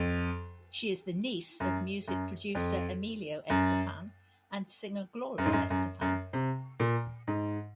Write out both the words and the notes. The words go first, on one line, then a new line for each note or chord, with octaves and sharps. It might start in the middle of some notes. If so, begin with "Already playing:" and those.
She is the niece of music producer Emilio Estefan and singer Gloria Estefan.
Already playing: F2
F#2
F#2
F2
F#2
F#2
G#2
F#2
F#2
F#2
C3
A#2
G#2